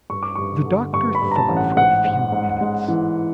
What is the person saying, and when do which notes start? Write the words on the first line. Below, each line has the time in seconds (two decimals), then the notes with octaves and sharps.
The doctor thought for a few minutes.
0.10 G2 C#6
0.23 D6
0.35 G2 C#6
0.65 D3
0.93 G2 C#6
1.15 B5
1.21 G2
1.31 A#5
1.36 A5
1.49 A1
1.57 F#5
1.77 G#2 F#5
2.05 G#2
2.32 G#2
2.61 G#3
2.88 E3